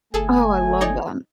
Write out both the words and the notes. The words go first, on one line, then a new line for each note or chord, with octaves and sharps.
Oh, I love that.
G1 A3 G#4 A4 G#5
D#4 C#5 D5